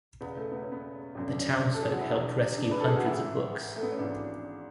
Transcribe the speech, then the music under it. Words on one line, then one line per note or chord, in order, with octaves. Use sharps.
The townsfolk helped rescue hundreds of books.
E1 E2 C#3 B3
A3
B3
C#4
B3
G#1 F#2 D3 C#4
D4
C#4
A4
G#4
F#4
E4
E1 E2 B2 D4
D4
B4
A4
G#4
F#4
A1 G#2 E3 E4
A3
B3
C#4
G#1 G#2 E3 D4